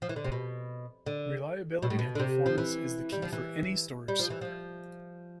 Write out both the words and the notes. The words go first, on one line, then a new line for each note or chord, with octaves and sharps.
Reliability and performance is the key for any storage server.
F3
E3
D3
C3
B2
D3
B2
A2
B2
D3
C3
F3
E3
G3
F3
E3
G3
F3
E3
F3